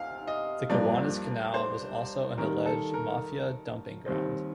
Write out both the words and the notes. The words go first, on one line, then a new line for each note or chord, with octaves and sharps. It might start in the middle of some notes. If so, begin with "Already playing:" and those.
The Gowanus Canal was also an alleged Mafia dumping ground.
Already playing: D2 C3 F5
D#5
G2 F3 A#3 D5
C5
D#2 D#3 G3 A#4
A4
A#4
D#2 D#3 G3 C4